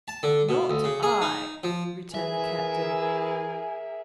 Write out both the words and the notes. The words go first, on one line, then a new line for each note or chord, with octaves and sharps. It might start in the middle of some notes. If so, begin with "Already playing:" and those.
"Not I," returned the captain.
A5
D3
B2
D2
C#3
G#4
D#4
F3
E3 G#4 A#4 E5 G#5